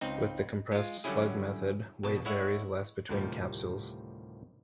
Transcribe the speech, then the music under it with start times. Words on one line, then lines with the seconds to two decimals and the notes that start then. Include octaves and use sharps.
With the compressed slug method, weight varies less between capsules.
0.01 C#2 C4 D#4
0.72 G#3 F4
1.04 D3 F#3 G3 C#4 E4 G#4
2.03 A#1 B2 A5
2.25 G#3 E4 C#5 E5 F#5
3.09 D2 A2 C3 D#3 F3 G3